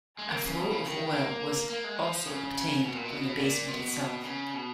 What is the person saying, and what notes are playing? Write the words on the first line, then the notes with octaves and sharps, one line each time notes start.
A flow of oil was also obtained from the basement itself.
G#3
A#3
C#3
B2
C#3
C#3
D#3
A#3
A#3
G#3
F3
C#3
B2
A#2
B2
A#2
B2
C#3
B2